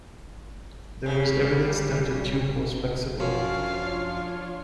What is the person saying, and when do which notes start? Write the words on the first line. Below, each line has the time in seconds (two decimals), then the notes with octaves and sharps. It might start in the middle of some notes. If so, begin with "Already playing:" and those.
There is evidence that the tube was flexible.
1.06 C#3
1.37 G3
3.20 F#2 F3 D4 F4 C#5 F5